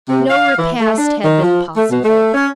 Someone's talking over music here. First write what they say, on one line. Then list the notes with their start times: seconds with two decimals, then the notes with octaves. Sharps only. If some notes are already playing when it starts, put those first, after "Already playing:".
No repast had been possible.
0.09 C3
0.30 F5
0.58 E3
0.79 A3
0.98 D4
1.24 D#3
1.42 F3
1.76 A3
1.90 B2
2.03 A3
2.34 C#4